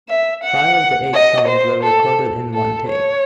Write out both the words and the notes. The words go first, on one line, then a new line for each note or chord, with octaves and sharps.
Five of the eight songs were recorded in one take.
E5
F#5
D#5
C5
A4
A4
C#5